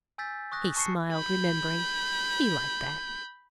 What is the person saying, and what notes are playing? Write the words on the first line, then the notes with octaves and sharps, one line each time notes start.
He smiled, remembering--he liked that.
G#5 E6 G6 A6 B6
C#6 D#6 F#6 A#6
A5 C#6 C7 C#7
B5 G6